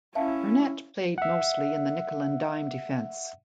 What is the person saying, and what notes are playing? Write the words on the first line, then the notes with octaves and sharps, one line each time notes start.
Burnett played mostly in the nickel and dime defense.
C#4 E4 E5 F5 A5
E5 F#5